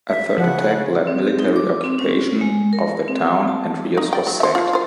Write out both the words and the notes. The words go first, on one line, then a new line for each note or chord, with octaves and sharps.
A third attack led military occupation of the town and Reus was sacked.
E5
C#3 F3 F#5
C4
G4
D#4
D6
C4
C#4
G#3
A#4
C4
A5
D#4
D5 G5
F#3
C5 E5
F3 F4
F4 C5